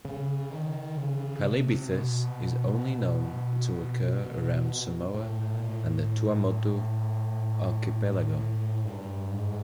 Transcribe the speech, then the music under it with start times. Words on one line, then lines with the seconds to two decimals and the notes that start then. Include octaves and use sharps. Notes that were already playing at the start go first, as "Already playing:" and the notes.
"Palibythus" is only known to occur around Samoa and the Tuamotu Archipelago.
0.05 C#3
0.51 D#3
0.97 C#3
1.43 C3
1.90 B2
5.14 A2
5.54 A#2
5.61 A2
8.38 A2
8.85 G2
9.31 G#2